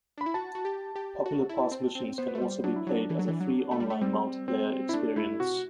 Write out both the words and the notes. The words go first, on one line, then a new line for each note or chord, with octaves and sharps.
Popular past missions can also be played as a free online multiplayer experience.
D4
B5
E4
F#4 A5
F#4
G4
G4
F#4
E4
C4
C4
B3 C5
B4
A3
G3 C5
F#3 D4
E4
F#3 D4
E3
F#3
E3
F#3
A3
G3
A3
G3 C4
C4
E4
A3 D4
A3 E4
C3 F#4